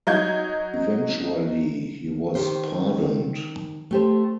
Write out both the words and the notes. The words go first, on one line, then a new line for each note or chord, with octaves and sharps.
Eventually he was pardoned.
F#3 D#4 G6 G#6
D#3 G4 C5
A3 G4 C5